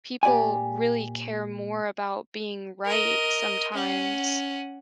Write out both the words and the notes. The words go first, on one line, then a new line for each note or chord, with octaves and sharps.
People really care more about being right sometimes
A#2 G4 D5 F#5 G#5
A#4 D#5
C#4 F#5